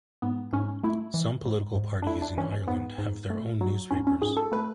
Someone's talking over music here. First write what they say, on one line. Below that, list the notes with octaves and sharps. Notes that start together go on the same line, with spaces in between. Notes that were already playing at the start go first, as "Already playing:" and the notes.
Some political parties in Ireland have their own newspapers.
G#2 B3
G#2 C#4
A3 E4
E3
G#2
G#2
D4
A3 E4
D4
E3 C#4
G#2 B3
G#2
A3
F#3
G#2 C#4
C#4
G#2 G#4
A4
A3 B4